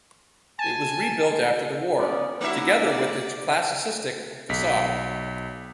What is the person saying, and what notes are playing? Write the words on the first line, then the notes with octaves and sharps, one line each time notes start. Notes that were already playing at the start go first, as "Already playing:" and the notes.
It was rebuilt after the war, together with its classicistic facade.
G#5 A5
B3 C#4 D5
E3 A3 C#4 D#4 E4 F#4 E5 F#5
D5
B1 B6